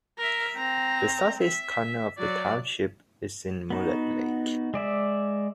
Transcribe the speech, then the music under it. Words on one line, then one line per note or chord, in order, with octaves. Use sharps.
The southeast corner of the township is in Mullett Lake.
A#4 E5
C4 A#5
E5
F#3 D5
B3 D#4 F#4
G#3 D5 E5